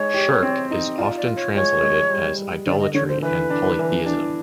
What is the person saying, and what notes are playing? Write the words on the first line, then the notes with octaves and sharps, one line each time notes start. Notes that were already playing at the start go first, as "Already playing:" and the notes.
"Shirk" is often translated as idolatry and polytheism.
Already playing: G#3 D#4 C#5
G4
C4
D#4
F4 D5
D5
F4
C#5
G#3 C#5
G#3
G3
G3
D3 D5
D#5
D3 C#5
C5
E3 B4
D4
E3
D4